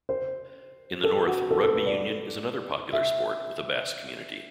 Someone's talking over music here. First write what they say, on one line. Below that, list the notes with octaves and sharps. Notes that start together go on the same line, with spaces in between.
In the north, rugby union is another popular sport with the Basque community.
C5
A4
F#4
A4
A4
B4
D5
E5